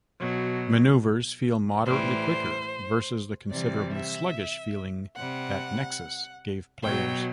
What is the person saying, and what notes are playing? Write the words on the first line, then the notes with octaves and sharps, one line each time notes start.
Maneuvers feel moderately quicker versus the considerably sluggish feeling that "Nexus" gave players.
B2 F#3
A2 E3 G3 C5
C3 E3 G3 D5
E5
C3 G3 F#5
B2 F#3 G5